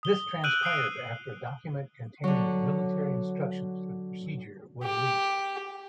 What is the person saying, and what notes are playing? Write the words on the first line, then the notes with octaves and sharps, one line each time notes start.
This transpired after a document containing the military instructions for the procedure was leaked.
D#6 G7
E6 F#6 G6 D7 D#7 F#7
D#6 F#6 C7 D7
D3 F#3
G4